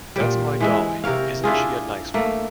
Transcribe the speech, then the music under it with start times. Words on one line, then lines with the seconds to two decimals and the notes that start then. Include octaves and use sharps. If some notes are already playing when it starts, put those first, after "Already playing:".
That's my dolly; isn't she a nice one?
0.16 A#2 G3
0.61 E3 G#3 E5
1.04 C3 A#4 C#5 F5
1.44 D4 E4 F4 G#4
2.14 A3 A#3